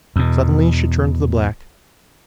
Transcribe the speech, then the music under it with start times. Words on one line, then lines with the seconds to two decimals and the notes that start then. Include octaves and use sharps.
Suddenly she turned to the black.
0.16 E2 B2